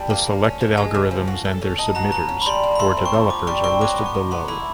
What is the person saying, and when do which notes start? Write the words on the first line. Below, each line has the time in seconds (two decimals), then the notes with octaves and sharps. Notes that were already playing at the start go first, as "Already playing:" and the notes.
The selected algorithms and their submitters or developers are listed below.
Already playing: G3 A5
0.10 A#3
0.27 A#3
0.44 C#4
0.61 F3
0.77 G#3 G#5
0.94 C#3
1.11 F3
1.28 F#4
1.45 A4
1.62 C#4
1.79 D#4 A5
1.95 F#4 A#5
2.12 B3 A#5
2.29 C#4
2.42 B5
2.46 G3 C6
2.63 A#3
2.75 B5
2.79 A3 C6
2.97 C4
3.06 C#6
3.14 F3
3.30 F4 D6
3.47 G3 C#6
3.64 C4 C#6
3.81 F#3 D6
3.98 B3
4.06 C#6
4.14 D#3
4.31 B3 C6
4.48 E4 B5